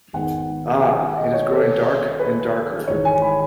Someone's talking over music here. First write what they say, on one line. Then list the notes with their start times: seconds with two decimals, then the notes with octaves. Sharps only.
Ah, it is growing dark and darker.
0.13 G#1 G#2 D#3 G#3 B3 F#5
0.82 G#5
0.99 F#5
1.17 D#5
1.34 C#5
1.51 A4
2.19 B4
2.88 G#1 G#2 E3 C#5
3.05 G#5
3.22 B5